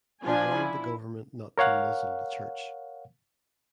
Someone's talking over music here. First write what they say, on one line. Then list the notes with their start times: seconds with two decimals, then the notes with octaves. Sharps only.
He warned the government not to "muzzle" the Church.
0.23 F3 D4 F4 G#5
0.53 E4
1.58 A#4 C#5 F5 F#5